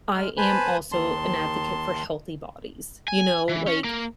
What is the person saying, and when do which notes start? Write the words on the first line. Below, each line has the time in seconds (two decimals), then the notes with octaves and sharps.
I am also an advocate for healthy bodies, you know? Like,
0.14 G#3 F6
0.38 B4 C5 G#5 A5 B5
0.92 D#2 D#3 A5 C6
3.08 G#5
3.49 E3
3.67 C#4
3.84 A#3